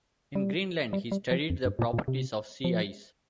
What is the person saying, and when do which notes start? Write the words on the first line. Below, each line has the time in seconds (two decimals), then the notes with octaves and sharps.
In Greenland, he studied the properties of sea ice.
0.35 G3
0.93 G3
1.12 G3
1.31 F3
1.50 F2
1.65 G2
1.79 A#2
1.93 A#2
2.08 C3
2.64 F3